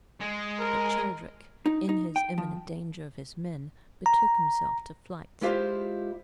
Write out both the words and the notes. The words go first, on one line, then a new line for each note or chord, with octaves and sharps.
But Cheldric, in his imminent danger of his men, betook himself to flight.
G#3
A#4
D#4
D#4
G5
F3
A#5
G#3 E4 F4 G4 C5 F5